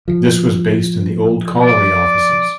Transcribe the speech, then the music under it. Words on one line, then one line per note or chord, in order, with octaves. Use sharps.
This was based in the Old Colliery Offices.
F3
D5